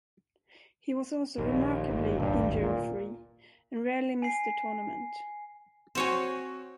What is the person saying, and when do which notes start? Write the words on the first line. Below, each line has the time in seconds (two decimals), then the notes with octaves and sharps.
He was also remarkably injury free and rarely missed a tournament.
1.38 A#1 D#2
1.90 G1
2.19 D#1 G#1 D2 G2
2.60 A#2
4.22 G#5 C7
5.95 C4 F#4 C5 C#5 G#5